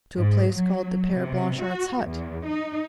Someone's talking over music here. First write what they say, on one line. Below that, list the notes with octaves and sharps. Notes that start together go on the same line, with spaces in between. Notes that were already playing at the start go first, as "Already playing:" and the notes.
"To a place called the Pere Blanchard's hut?"
G#2
F#3
C3
F#4
E2
D#4